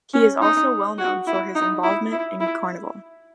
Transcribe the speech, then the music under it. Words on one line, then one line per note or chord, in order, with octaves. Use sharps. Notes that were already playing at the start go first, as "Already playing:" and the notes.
He is also well known for his involvement in Carnival.
C#4
D#4
F#4
E4
D#4
E4
E4
E4